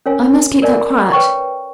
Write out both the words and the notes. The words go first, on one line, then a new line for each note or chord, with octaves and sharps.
I must keep that quiet.
C#4 A#4 C#5 F5 G#5
A#4 D5 D#5 G#5
B4 C#5 G5 C#6